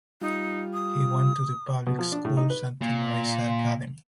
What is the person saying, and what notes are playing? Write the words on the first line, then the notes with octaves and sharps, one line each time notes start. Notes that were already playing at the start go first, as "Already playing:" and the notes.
He went to the public schools and to Marissa Academy.
G3 D#4 F4
D#6
B2
F3
D4
A2
D#4
B4
A#2